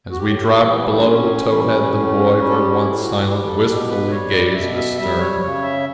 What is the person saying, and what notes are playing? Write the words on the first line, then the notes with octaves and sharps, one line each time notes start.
As we dropped below the Towhead, the Boy, for once silent, wistfully gazed astern.
F#4
A2 G4
A3
E3 G3 B3
A3
D4
A2 C#4
E3 G3
A2
G3
A4
G4
F#4
A2 E4
E4
F#4
G3 G4
A4
B2 G4
B4
G3 C#5
D5
B2 E5
E5
G3 E5
C#5
C#3 C#5
E5